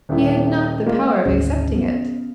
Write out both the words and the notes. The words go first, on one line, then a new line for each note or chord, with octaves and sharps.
He had not the power of accepting it.
D#1 E4
G#3 A#3 F4
G#1 D2 C#3
B3